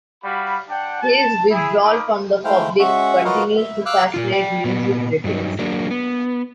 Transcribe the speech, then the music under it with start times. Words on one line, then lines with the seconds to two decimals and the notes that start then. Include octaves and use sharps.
His withdrawal from the public continues to fascinate music critics.
0.23 G3 F#4 F5 B5
0.69 D4 F#5 G5
1.02 A5
1.50 E4 G#4 E5
1.83 D#4 F4 A#4 B5 D6 D#6
2.44 G#3 A3 E4 C5 F5 G5
2.79 G#3 C#4 F#4 E5 F#5 C#6
3.25 F4 F#4 A#4 B4 D#5 F5
3.57 E5
3.86 F5 D6 E6 F#6
4.14 A#2 D#3 F4
4.32 D5 G5
4.64 A#2 B3
5.24 G2 F#3 D#4
5.59 F#3 A#3 D4
5.91 B3